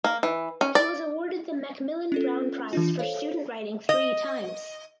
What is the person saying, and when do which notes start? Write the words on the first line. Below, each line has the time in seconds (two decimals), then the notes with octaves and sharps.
He was awarded the Macmillan Brown Prize for student writing three times.
0.04 A#3
0.23 E3
0.61 C#4
0.75 D5
2.12 C#4 F4 A4
2.73 E3 D4 F4
2.99 A4 C5 C#5 F5
3.89 D#5